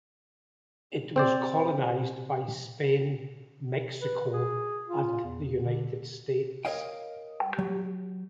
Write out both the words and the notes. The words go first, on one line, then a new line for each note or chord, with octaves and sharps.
It was colonized by Spain, Mexico and the United States.
C4 C5 D5
B4
G#4
F4
E2
D3
A#4 B4 C#5 D#5 F5 G5
F#3